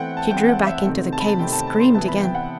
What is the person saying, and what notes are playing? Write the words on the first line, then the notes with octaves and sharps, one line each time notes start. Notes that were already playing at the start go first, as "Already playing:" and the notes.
She drew back into the cave and screamed again.
Already playing: E3 A3 C4 F#5 G5
A5
E3 A3 C4 G5
F#5
E5
C3 D#3 A3 C4
A5
B5
A5
C3 D#3 A3 C4 G5
A5
A5
C6
C3 E3 B3 A5
B5
G5
F#5